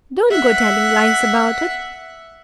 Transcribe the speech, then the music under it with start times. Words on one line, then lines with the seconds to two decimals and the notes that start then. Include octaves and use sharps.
Don't go telling lies about it.
0.31 E5 F#5